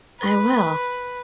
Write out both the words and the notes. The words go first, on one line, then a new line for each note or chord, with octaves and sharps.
I will.
B4